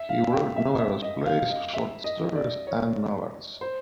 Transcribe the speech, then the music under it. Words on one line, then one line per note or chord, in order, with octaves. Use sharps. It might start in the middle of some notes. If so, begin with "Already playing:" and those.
He wrote numerous plays, short stories, and novels.
Already playing: E5
F5
G5
E5
E5
D#5
F5
D#5
E5
D#5
D5
C#5
C5